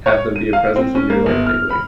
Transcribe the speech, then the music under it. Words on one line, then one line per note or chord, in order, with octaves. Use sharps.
have them be a presence in your life daily.
C#5
D#7
F5
C4
C#4
A#3
G1
F6
B5